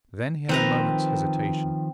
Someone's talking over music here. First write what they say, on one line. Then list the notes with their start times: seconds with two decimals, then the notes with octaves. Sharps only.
Then he had a moment's hesitation.
0.49 D#3 F3 C4 B4 A#5